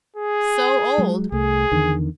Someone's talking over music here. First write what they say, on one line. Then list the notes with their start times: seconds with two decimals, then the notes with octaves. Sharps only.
So old!
0.16 G#4
0.98 F#3 G#3
1.32 C2 A3 G#4
1.72 E2 D3 D#3